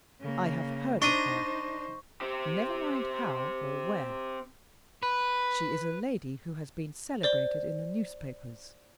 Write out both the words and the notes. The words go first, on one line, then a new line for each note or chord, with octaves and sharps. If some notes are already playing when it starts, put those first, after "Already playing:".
I have heard of her--never mind how or where. She is a lady who has been celebrated in the newspapers.
C#3 A#3
D4 D#4 C5 A#5 C#6 D#6
C4 G4
B4
C5 D5 G7